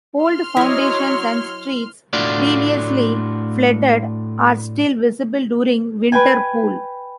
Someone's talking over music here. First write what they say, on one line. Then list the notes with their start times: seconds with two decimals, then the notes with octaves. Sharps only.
Old foundations and streets, previously flooded, are still visible during winter pool.
0.23 C6 F6
0.57 F#3 E4 C#5 D#5
2.13 A2 A3 D4 F4 F#4 D5
6.12 B4 G5 G#5